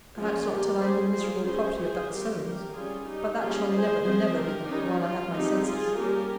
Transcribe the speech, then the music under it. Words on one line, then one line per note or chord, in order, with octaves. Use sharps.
Perhaps not till I am the miserable property of that Solmes!--But that shall never, never be, while I have my senses.
F3 A#3 C#4 F4 G#4
G4 A#4
G3 C#4 G#4 C5
F4 G#4
G3 C#4 G#4 C5
G#4 C5
G3 C4 G4 A#4
G4 A#4
G3 C#4 F4 G#4
D#4 G4
G3 A#3 C#4 F4 G#4
G#4 C5
F3 C4 G#4 C5
G4 A#4
D#3 G3 C#4 D#4
F4
F3 G#3 C4 D#4 G4
F4 G#4
G3 A#3 C#4 G4 A#4